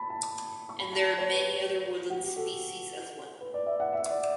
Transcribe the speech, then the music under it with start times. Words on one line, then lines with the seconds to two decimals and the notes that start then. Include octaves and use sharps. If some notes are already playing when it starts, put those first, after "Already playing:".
And there are many other woodland species as well.
Already playing: A5 B5
0.10 A5
0.69 C#6
0.80 B5
0.93 A5
1.19 C#5
1.32 B4
2.10 F#4
2.24 G4
2.37 A4
3.41 B4
3.54 D5
3.67 E5
3.80 F#5
3.93 E5
4.10 D5